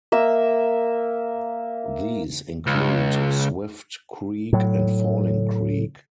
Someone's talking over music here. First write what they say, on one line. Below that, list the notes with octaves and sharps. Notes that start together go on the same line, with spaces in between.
These include Swift Creek and Falling Creek.
A#3 E5
C#2
A2 F#3